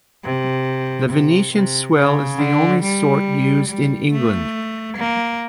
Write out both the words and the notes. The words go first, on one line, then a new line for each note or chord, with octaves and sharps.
The Venetian swell is the only sort used in England.
C3
C3
C3
C#3
D3
G3
G3
A3
A#3